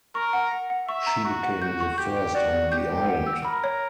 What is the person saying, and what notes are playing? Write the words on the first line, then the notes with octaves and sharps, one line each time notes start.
She became the first on the island.
A#4 C#6
F#5
F#5
F#5
E5 C#6
A#5
F#4 C#6
F#5
F#4 G6
C#6
G4 G6
G5
F#4 D5
D5
G4 G6
G5
F#5
E6
A#4 B5
C#5